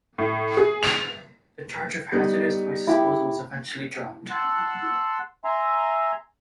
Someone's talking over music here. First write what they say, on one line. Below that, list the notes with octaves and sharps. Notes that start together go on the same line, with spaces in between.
The charge of hazardous waste disposal was eventually dropped.
A2
G#4
F7
G3 B3 D#4
E4 G4
F#5 A5 C6 E6 F#6
E5 G#5 A#5 C6